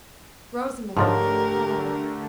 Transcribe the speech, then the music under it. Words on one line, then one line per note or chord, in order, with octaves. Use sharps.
Rosamond looked at the flower.
G#2 D3 F3 A3 G4 A#4 C#5 A5